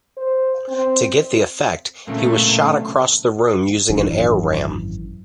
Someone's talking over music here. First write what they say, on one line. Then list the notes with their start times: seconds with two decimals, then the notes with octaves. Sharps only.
To get the effect, he was shot across the room using an air ram.
0.17 C5
0.69 C4
2.07 B1 A#2 C#3 A3
3.90 G#1 F#2 E3 D4